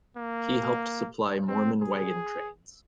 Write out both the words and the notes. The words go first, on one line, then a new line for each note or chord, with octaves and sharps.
He helped supply Mormon wagon trains.
A#3
C4
G#4